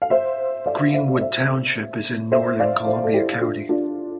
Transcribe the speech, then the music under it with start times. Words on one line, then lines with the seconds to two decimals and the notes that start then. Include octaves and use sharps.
Greenwood Township is in northern Columbia County.
0.02 F5
0.10 C5 E5
0.66 D5 F5
0.93 C5 E5
1.16 D5
1.21 C5 E5
2.32 C5 E5
2.60 D5 F5
2.86 C5 E5
3.04 A4
3.14 E4 G4
3.41 D4 F4
3.69 D4 F4